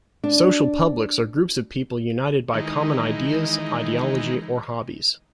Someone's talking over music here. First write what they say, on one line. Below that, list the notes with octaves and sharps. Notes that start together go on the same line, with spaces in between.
Social publics are groups of people united by common ideas, ideology, or hobbies.
D4
D#3 E3 G#3 D#4